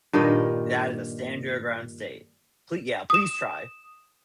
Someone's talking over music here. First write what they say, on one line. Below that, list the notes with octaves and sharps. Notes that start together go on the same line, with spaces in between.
that is a stand your ground state. "Plea yeah, please try."
G2 A#2 D#3 D#5
D#6 E7